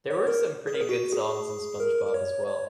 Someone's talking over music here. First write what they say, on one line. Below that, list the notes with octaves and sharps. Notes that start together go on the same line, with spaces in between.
There were some pretty good songs in SpongeBob as well.
C#5
A#4
G#4
A#4
G#4
F#4
G#4
A#4
A#4
C#5
C#5